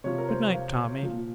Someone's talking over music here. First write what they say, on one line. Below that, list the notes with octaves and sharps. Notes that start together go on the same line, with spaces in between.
Good-night, Tommy!'
C3 F3 C#5
A#4
C5
F5
F3
A#2